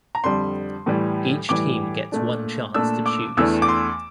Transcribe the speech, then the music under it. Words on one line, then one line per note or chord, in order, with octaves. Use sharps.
Each team gets one chance to choose.
A#5
F2 D3 G3 C6
A2 E3 G3
A2 E3 G3 D6
A#2 A3 D4
A#2 A3 D4 E6
D6
E2 E3 A3 D4 E6
D6
C6